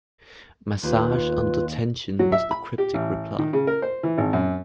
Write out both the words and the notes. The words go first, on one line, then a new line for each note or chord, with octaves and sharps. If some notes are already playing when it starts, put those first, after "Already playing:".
Massage under tension, was the cryptic reply.
D#2 F4 B4
F#3
E5
B5
G4
A1
D#3
C#3
A#4
C5
E3
G#1
F#2